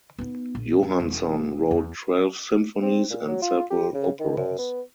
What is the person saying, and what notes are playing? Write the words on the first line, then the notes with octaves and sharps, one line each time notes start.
Johanson wrote twelve symphonies and several operas.
B3 D#4
A#1
F2
E1
E2
C4
A#2
F#3
F4
G4
C#3
D#3
F#2
B3